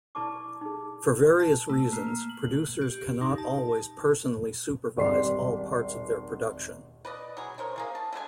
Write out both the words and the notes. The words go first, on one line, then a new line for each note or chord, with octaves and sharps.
For various reasons, producers cannot always personally supervise all parts of their production.
E4 B4 D5 A5 C#6 D6
D#4 G#4
A5
A3
A#3
F#7
G4
D#4
A5
D#1 G#1 G4 D5 C6 C7
B4 D5 D#5
F#3 G#4
A#4 C5 C#5
A#3 G#4 F5
A5
D3 G#3 B4 G#5